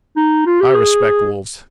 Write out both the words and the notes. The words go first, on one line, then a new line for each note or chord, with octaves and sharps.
I respect wolves.
D#4
F4
G4
G#4